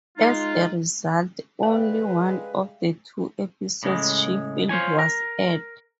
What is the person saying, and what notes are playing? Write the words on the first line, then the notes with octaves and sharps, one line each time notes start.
As a result, only one of the two episodes she filmed was aired.
G#3 D#4 F4
D3 G3 G#3 B4 D5 E5 F5 G5
A2 C#3 G#3
F4 C5 C#5 G#5
A#4